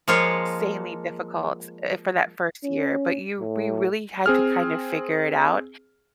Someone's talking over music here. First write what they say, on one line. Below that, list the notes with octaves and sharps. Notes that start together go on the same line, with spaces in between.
sanely difficult, eh, for that first year, but you we really had to kinda figure it out,
F3 G#3 A#3 F4 C#5
C#4
A2
C4 G#4 F6